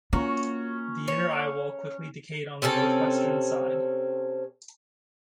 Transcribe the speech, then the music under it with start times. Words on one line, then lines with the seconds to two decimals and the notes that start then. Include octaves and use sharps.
The inner eyewall quickly decayed on the northwestern side.
0.13 A#3 C#4 F4 F#4 A#5 C#6
1.08 C#5
2.62 C3 C4 C#4 A4